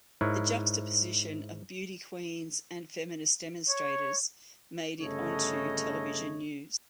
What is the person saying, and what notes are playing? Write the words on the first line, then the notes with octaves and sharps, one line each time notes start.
The juxtaposition of beauty queens and feminist demonstrators made it onto television news.
G#2 E4 A#4 C#5
C#5
G1 C#3 A3 A4 C#5 D#5